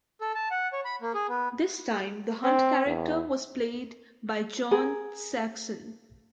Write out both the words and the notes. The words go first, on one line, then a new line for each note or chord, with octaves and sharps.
This time, the Hunt character was played by John Saxon.
A4
A5
F#5
C#5
B5
A#3
G#4
B3
C4
E2
G#4 A#4